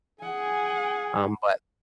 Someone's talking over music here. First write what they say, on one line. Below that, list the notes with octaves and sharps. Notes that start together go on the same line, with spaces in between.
um, but
G#4 F#5 G#5